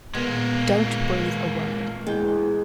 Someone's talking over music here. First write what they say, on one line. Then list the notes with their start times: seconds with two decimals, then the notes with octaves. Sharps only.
Don't breathe a word!
0.15 A#2 G#3 A#3 B3
2.07 E2 G#3 G5